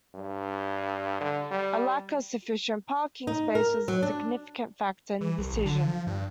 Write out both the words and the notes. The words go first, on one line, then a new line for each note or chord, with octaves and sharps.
A lack of sufficient parking space was a significant factor in the decision.
G2
D3
G3
D#4
A#4
F#3
D4
E3
C2
A1
D3
F3
G2